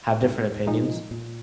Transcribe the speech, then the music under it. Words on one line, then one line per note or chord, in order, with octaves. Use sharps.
have different opinions.
G#2
A#2 F3 G#3 D#4
A#2